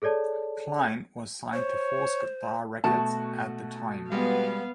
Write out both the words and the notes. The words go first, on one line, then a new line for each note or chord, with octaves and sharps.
Cline was signed to Four Star Records at the time.
G#4 A4 C#5 D5 A5
C5 C#5
B2 A3 F#4 A5
G3 G#3 B3 F5